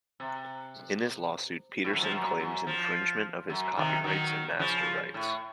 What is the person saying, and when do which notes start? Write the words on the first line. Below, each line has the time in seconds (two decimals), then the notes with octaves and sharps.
In his lawsuit Peterson claims infringement of his copyrights and master rights.
0.20 C3
1.84 A2
1.93 F#2
2.03 F3
2.11 F#2
2.40 F#2
2.67 F3
3.50 F#2
3.77 C3 D#3
4.04 D#3 F#3
4.59 C#3 F3
5.14 A2